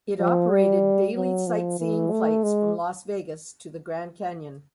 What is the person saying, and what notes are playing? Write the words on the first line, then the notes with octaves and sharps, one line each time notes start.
It operated daily sightseeing flights from Las Vegas to the Grand Canyon.
F3
G3
F#3
F3
E3
A3
G#3